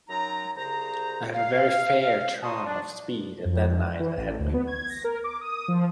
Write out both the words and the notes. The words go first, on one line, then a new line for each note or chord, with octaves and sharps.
I have a very fair turn of speed, and that night I had wings.
F#2 F#3 D#4 A#5
C2 C#3 C5 A#5
F5
A5 A#5 C6 C#6 D#6
D4
F2
E3
A1
D2
B3
G#6
A#6
A#4
D6
D#6
F3